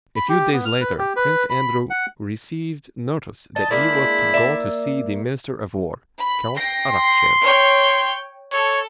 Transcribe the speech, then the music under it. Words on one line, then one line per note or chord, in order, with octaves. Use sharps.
A few days later Prince Andrew received notice that he was to go to see the Minister of War, Count Arakcheev.
B5
G4
B3
F6
B4
G4
B4
B5
F#5
D#5 A5
G#3 A#3 D4 E4
A#3 D5 E5
B5
G5 A#6 C7
C6
C#5 G5 G6
A4 C#5